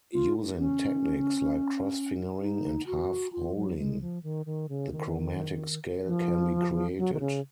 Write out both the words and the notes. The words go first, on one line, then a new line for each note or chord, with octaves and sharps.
Using techniques like cross-fingering and half-holing, the chromatic scale can be created.
F4
C#4
D#4
F#4
F4
F#3
G#3
F3
D#3
D#3
C#3
D#3
F3
F#3
D#3
C#3